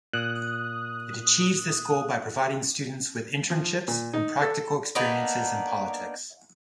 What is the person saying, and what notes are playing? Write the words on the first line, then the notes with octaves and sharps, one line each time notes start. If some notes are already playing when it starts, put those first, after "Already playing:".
It achieves this goal by providing students with internships and practical experiences in politics.
A#2 D#6 F#6
F3
A#2
D#4
A4
A#3 B3 D4 D#4